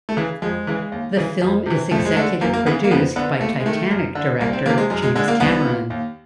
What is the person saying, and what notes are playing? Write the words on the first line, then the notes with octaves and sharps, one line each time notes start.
The film is executive produced by "Titanic" director James Cameron.
A3
C#3 E3
F2 G#3
C#3 E3
D#2
C#3 E3
F2
C3 E3
F2 A3
G#3
D3 A3
F#2 A#3
A#3
C#3 E3 B3
A#3
F2 B3
D3 B3
D#2 A3
G#3
D#3 A3
F#2
D3
C2 A#3
C4
C3 E3 A#3
G#3
F#2 G#3
G#3
D3 G#3
A#3
C2 B3
A#2
D#2